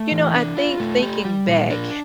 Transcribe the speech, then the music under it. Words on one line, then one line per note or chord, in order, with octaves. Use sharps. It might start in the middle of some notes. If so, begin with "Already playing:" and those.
You know, I think thinking back,
Already playing: A3
E3
D4
F4
A3
G4
G3
A#2
D4